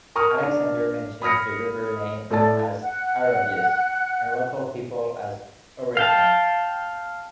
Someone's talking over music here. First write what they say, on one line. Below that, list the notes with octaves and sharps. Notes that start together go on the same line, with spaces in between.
Alexander mentions the river name as Arabius, and local people as Oreitans.
A#4 A#5 C#6 D#6 F6
D4
B5 D#6 F6 A#6 C#7
A2 A4 D5 A5 A6
F#5 F#6
F5 G5 A5